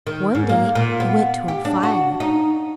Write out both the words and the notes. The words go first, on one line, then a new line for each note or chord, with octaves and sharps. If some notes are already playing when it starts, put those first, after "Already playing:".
One day he went to a fire.
D#3
G#2
A#3
A#2
B3
G4
D4
F#4
D#4